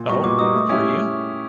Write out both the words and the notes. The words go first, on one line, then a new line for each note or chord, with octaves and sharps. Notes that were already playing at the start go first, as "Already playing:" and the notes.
Oh, were you?
Already playing: A#2
G3 B3 D#4 F#4 C#6
A#2 D6
G3 B3 D#4 F#4 D#6
A3
C#4 E4 G4